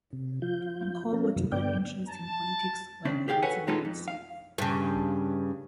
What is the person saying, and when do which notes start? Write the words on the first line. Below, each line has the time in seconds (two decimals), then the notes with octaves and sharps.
Ngcobo took an interest in politics while he was in grade six.
0.13 C3
0.42 F3 F4 G6
1.13 F3 B3 C#4 A4 A#4
1.36 F#2 C3 D#3 F#3
1.52 G2 D3 B3 D5 G5 G6
2.09 A5
3.05 C#3 C4 D4
3.28 G4 G#4 F5 G5
3.42 F#4 A4 B4 C#5 F#5 G#5
3.67 B2 E3 G#3 D#4 F4 A4
3.85 F2
4.08 F5
4.58 G2 C#3